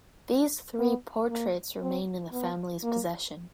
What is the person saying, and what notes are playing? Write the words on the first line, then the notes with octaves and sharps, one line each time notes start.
These three portraits remain in the family's possession.
B3
A#3
C4
B3
A#3